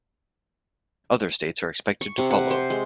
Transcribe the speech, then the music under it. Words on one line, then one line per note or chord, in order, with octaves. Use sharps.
Other states are expected to follow.
C#6
C3
F#5
C5
G#3